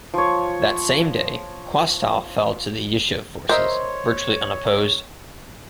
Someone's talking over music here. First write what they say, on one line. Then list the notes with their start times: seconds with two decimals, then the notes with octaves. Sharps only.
That same day, Qastal fell to the Yishuv forces, virtually unopposed.
0.14 F3 C#5
3.49 A#4 C5 C#5 D#5 E5